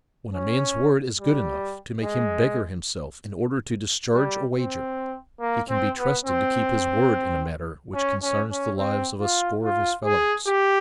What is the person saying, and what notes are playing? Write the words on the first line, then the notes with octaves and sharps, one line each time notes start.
When a man's word is good enough to make him beggar himself in order to discharge a wager, he can be trusted to keep his word in a matter which concerns the lives of a score of his fellows.
C#4
G3
G#3
G3
C4
A#3
C4
B3
C4
C#4
C#4
C#4
C4
F4
F4
G#4
G4